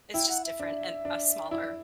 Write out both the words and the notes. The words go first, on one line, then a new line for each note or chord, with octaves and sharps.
it's just different and a smaller
E4 G5
F#5
E5
D4
D4
E4 D5